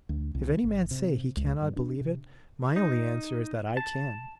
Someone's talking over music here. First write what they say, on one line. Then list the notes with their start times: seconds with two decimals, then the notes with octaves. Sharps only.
If any man say he cannot believe it, my only answer is that I can.
0.09 D2
0.35 C2
0.64 G#1
0.91 C3
1.37 C#2
1.62 G2
1.76 D4
2.01 C3
2.76 D#4
3.77 A5